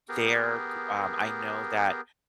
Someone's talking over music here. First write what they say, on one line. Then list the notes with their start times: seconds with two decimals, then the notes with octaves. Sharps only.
they're g um, I know that,
0.09 B3 G4 G#4 A#4